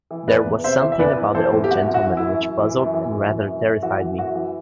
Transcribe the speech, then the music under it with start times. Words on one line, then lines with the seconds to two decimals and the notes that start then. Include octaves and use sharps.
There was something about the old gentleman which puzzled and rather terrified me.
0.11 E3
0.28 E2 B4 D5
0.46 E2
0.64 C3 C5 E5
0.82 E3
0.92 E5
0.99 E2 B4 D5
1.17 E2
1.34 E3 A4 C5
1.53 E2
1.64 G4
1.70 F#2 F#4
1.88 F#2
1.94 F#4
2.06 E3
2.17 E4
2.23 F#2
2.40 F#2
2.59 E3
2.77 F#2
2.94 E3
3.11 F#2
3.29 E3
3.48 F#2
3.64 F#2
3.83 E3 F#4
4.01 E3
4.18 F#2 F#4
4.35 E3